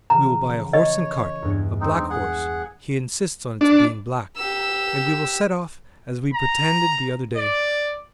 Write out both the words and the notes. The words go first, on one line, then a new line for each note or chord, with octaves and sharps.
We will buy a horse and cart, a black horse, he insists on its being black, and we will set off as we pretended the other day.
C#3 E3 F3 A#5
C#5 D#5
E2 G2
G#3 C4 D#4
G#4 F#5
D4
G4 E6
A#5
D5